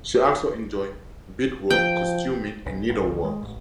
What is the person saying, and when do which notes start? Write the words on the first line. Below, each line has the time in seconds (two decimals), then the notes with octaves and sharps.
She also enjoys beadwork, costuming, and needlework.
1.70 F3 G5
2.66 B1
2.89 A1
3.04 D2
3.25 G#3
3.42 A1